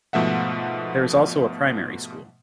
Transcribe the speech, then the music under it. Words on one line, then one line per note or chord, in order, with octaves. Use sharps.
There is also a primary school.
G#2 B2 F3 A3 E5 F#5